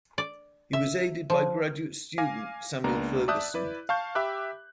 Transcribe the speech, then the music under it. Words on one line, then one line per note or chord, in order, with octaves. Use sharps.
He was aided by graduate student Samuel Ferguson.
D5
E5
F3
F5 G#5 D6 A#6
C#2 A#3 B3 D4 A#5
D5 E5 A5 D#6 F#6 G6
E4 B4 D5
F5 A5 C#6 G6
G4 E5 B5 D6 F#6